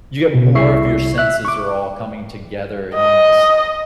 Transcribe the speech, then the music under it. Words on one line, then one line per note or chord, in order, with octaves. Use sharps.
you get more of your senses are all coming together in this
B2
C2 C3 E4 E5 C#6 C7
E5 F#6
C#6 D6
D#5